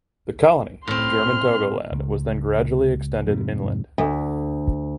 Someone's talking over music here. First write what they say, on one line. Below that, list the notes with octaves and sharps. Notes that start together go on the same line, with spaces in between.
The colony of German Togoland was then gradually extended inland.
A2 C4 C6 F6
C#2
F2 G#2 C3
D2